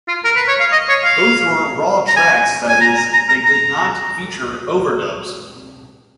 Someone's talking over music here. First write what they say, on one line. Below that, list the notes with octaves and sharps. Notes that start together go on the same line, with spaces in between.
Both were "raw" tracks that is, they did not feature overdubs.
F4
A#4
B4
C#5
F5
D#5
C#5
F5
A#5
G#5
G#5
A#5
A#5
A#5
A#5
A#5